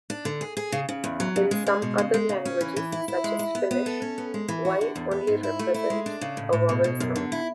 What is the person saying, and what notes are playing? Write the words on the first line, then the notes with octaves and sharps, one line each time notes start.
In some other languages, such as Finnish, "y" only represents a vowel sound.
D4
D3
G#4
G#4
C#3
C#3
E2
F#3
C#3
G#3
G#3
B2
C#3
G#3
C#3
C#4
E3
E3
E4
E4
G#3
E4
B3
B3
A4
C#4
B3
G#3
E3
F#4
D3
E2
B3
G#2
E4
A3
E4
G#3
D4
C#3
A2
A2
B2
B2
F#2
D3
E4